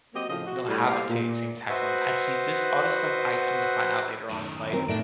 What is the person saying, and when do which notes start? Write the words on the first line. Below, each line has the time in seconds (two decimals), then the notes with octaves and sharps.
don't have the ta same tax laws. I've seen this all this stuff, I come to find out later on in life,
0.14 F#3 A#3 C4 G4 D#5
0.29 A2 C#3 F3 F4 D#5
0.46 F#4
0.68 A2 G3
0.86 G3 A#3 G4 C5 D5 F5
1.09 A#2
1.69 F#4 B4 C5 D#5 E5 F#5
4.30 F#2 D#3
4.73 C4 A#4
4.89 A2 D#3 A3 D5 A5